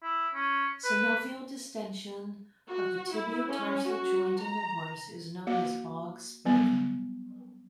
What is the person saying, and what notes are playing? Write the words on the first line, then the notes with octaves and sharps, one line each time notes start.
Synovial distension of the tibiotarsal joint in the horse is known as Bog spavin.
E4
C#4
B4
F#4
E4
C#4
F#4
A#5
A#3 F#4
F#3 G3 B3